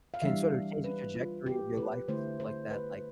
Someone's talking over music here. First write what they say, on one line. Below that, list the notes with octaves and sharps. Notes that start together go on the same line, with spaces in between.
can sort of change the trajectory of your life and stuff like that, like,
F5
E3 G3 D4 E5
B4
F4
G4
B4
D3 A3 E4 C5
C5
B4